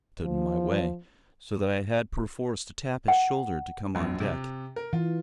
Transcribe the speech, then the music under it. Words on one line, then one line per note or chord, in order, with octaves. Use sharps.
He stood in my way, so that I had perforce to tap his shoulder to come on deck.
F3
F#5
A#1 F#2
C3
A#4
E3 F4